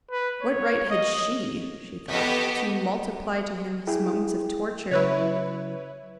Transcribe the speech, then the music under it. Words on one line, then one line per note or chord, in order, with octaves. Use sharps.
What right had SHE, she thought, to multiply to him his moments of torture?
B4
C#5
D#5
B3 G4 A4 D#5 C#6 B6
E4 G#4 G5
C#3 F#3 E4 B4 C#5